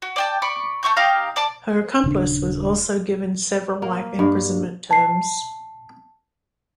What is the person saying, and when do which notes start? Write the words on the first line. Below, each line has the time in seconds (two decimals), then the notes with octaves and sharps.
Her accomplice was also given several life imprisonment terms.
0.02 F#4
0.16 D5 G5 A5
0.42 D5 B5 C#6 D6
0.83 A3 F4 C#6 G6
0.96 D#4 G4 F5 A#5
1.36 D5 A5 D6
2.04 D#1 C#3 D4
3.82 A#3
4.19 G2
4.91 A5 C7